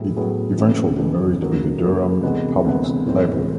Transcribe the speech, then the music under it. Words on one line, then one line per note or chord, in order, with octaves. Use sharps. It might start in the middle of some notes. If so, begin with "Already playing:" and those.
It eventually merged with the Durham Public Library.
Already playing: A2 F#3 B3 E4 G#4
A2 F#3 B3 E4 G#4
F2 C#3 E3
F2 C#3 E3
C#3 F#3 A#3
C#3 F#3 A#3
D2 C3 E3 G#3 B3
D2 C3 E3 G#3 B3
A2 E3 G#3 C4